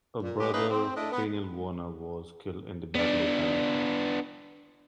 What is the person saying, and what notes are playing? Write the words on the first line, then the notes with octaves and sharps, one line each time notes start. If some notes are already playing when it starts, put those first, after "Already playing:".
A brother, Daniel Warner, was killed in the Battle of Bennington.
A#2
G#3 B3 G4
A3 A#3 C#4 D#4 G#4 B4
C4
A3 D4 E4 D#5
B3
B3 D4